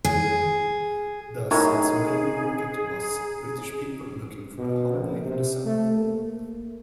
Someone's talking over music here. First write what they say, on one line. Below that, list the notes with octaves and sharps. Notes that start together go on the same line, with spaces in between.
Thus its main market was British people looking for a holiday in the sun.
G#4
F#2 A2 D#4 G#4 C#5
B2
A#1
C3
A3
A#3